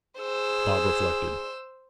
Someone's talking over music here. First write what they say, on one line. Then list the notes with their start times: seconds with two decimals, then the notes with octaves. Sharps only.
Bob reflected.
0.19 G#4 C5 E6